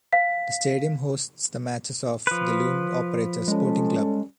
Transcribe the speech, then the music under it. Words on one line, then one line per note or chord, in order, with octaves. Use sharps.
The stadium hosts the matches of the Loom operator Sporting Club.
F5 B6
F3 B4
G3 G#3 C#4 A4